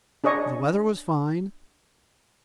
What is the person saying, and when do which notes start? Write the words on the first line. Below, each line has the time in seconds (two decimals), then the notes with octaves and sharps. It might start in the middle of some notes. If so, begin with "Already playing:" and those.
The weather was fine.
0.24 D4 G#4 C#5 D#5 C#6